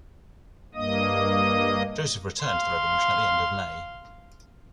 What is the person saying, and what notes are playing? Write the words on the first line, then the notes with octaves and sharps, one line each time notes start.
Joseph returned to the Revolution at the end of May.
G2 A#3 D#5 D#6
F5 C6